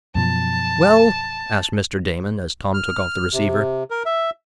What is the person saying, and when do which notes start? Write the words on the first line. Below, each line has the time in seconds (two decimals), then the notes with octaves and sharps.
"Well?" asked Mr. Damon, as Tom took off the receiver.
0.15 F#2 B2 F3 A5
2.74 F6
3.34 C3
3.90 A#4
4.06 E5